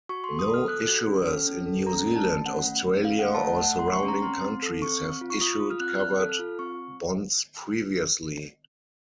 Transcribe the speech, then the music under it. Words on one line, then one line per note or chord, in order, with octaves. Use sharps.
No issuers in New Zealand, Australia or surrounding countries have issued covered bonds previously.
F#4 C#6
C6
A4
D#6
A4 F6
A4 F#6
F#4
C#4
A4 F6
C#4
A4
C#4 A#5
A3
A5
A3
C#4 F#5
A3
C#4
A3 F5
F#5
A3
A5
A3 F#5
A3 F#5
C6
A3
C#6
C#4 A#5
C4 C6
C4
A4
C4 C#6
C4
F4
C#6
F4 D#6
F4
F6
C4 F#6
F6
C4 F#6
A4
F6
F4
C4 C#6